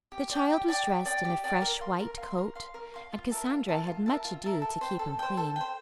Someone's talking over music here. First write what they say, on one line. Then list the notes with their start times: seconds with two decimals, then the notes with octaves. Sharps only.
The child was dressed in a fresh white coat, and Cassandra had much ado to keep him clean.
0.12 G4
0.31 D5 G5 D6
0.50 G4
0.68 D5 G5 D6
0.87 G4
1.06 D5 G5 D6
1.25 G4
1.44 D5 G5 D6
1.62 A#4
1.81 F5 C6
2.00 A#4
2.18 F5 C6
2.38 A#4
2.55 F5 C6
2.74 A#4
2.94 F5 C6
3.12 F4
3.31 A#4 E5 A5
3.50 F4
3.69 A#4 E5 A5
3.87 F4
4.06 A#4 E5 A5
4.25 F4
4.44 A#4 E5 A5
4.62 A4
4.81 C5 G5
4.99 A4
5.19 C5 G5
5.37 A4
5.56 C5 G5